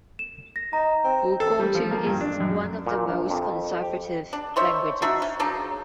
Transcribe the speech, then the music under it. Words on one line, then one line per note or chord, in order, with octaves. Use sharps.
Bugotu is one of the most conservative languages.
E7
A#6
D#4 A#5
C4
A4
G3
F3
A#3
G2
D4
F#2
A#2
A#1
F2
G4
D4
D#3 C5 C#5 E5
D4 D#4 F#4 E5
C#4
C#3 F#3 D4 D#4